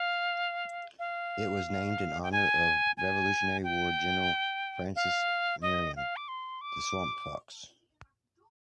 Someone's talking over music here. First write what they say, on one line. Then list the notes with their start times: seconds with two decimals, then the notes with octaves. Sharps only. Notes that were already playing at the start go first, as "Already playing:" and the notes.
It was named in honor of Revolutionary War General Francis Marion, the "Swamp Fox".
Already playing: F5
0.99 F5
2.23 G5
2.32 G#5
2.97 G#5
3.64 G5
4.96 F5
5.62 D#5
5.96 F5
6.16 D6
6.28 C6
6.61 D6